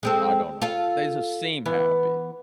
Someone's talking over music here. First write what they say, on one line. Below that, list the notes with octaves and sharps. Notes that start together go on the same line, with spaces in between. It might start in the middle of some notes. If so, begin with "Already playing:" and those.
I don't know, they just seem happy.
G#3 C4 A4
F4 A4 F5
E3 B3